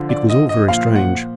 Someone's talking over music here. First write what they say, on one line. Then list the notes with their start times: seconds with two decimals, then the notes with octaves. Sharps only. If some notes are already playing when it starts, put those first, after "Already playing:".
It was all very strange.
Already playing: D3 F3
0.09 D5
0.30 D#5
0.49 D#5
0.68 A#2 F3 F5
0.96 F#5